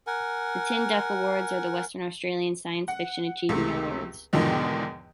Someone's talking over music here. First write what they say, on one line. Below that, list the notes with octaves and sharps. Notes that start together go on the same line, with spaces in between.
The Tin Duck Awards are the Western Australian science fiction achievement awards.
A#4 F#5 G#5
F#5
C#2 C3 A3
E2 G#2 B2 D3 D#3 F3